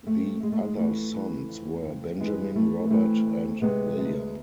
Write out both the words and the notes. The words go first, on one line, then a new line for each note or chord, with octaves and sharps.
The other sons were Benjamin, Robert and William.
F2 A3
F2 G#3
A3
G#3
E3 A3
E3
F2
F2
E3 G#3 B3
E3 A3
B3
E3 A3 C4
D2
C3 G#3 B3
D2